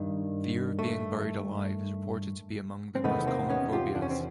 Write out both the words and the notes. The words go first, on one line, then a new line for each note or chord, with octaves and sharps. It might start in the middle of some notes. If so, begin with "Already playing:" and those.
Fear of being buried alive is reported to be among the most common phobias.
Already playing: G2 D#3
A3
C4
E2 C3 D#3 A3 B3
A#3 C4
B3 C#4
F4 G4
D4
C#4
C4